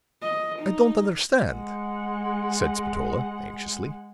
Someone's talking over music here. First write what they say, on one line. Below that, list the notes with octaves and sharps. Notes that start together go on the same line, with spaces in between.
"I don't understand," said Spatola, anxiously.
D#5
D#4
G#3 F#5